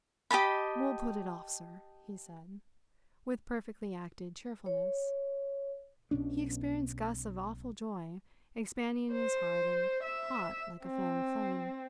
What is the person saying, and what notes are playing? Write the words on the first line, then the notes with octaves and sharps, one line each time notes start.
"We'll pull it off, sir," he said, with perfectly acted cheerfulness. He experienced gusts of awful joy expanding in his heart and hot like a fanned flame.
G4 D#5 A5 B5
C#5
B1 B2 C#4 D4
C5
E5
C4